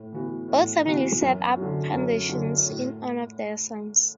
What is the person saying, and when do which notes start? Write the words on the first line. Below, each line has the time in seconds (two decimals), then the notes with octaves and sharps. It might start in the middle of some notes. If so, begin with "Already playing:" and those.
Both families set up foundations in honor of their sons.
Already playing: A2
0.13 E3 B3 F#4
0.48 A2
0.85 E3 B3 F#4
1.21 F#2
1.57 F#3
1.62 D3
1.93 F#2
2.29 D3 F#3
2.65 A2